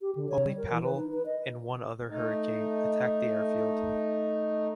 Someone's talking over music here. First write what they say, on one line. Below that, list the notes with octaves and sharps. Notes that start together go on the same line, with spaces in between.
Only Pattle and one other Hurricane attacked the airfield.
G4
D3
C#5
G3
A#4
E3
B4
D#4
B4
D#5
A3 D#4